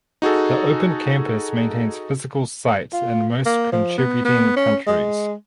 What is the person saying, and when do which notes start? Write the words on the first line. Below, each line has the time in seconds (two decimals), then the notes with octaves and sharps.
The Open Campus maintains physical sites in most contributing countries.
0.22 D#4 F#4 G#4 A4
2.93 F4
3.46 A#3
3.72 F3
3.98 B3
4.25 B3
4.56 C#4
4.87 G#3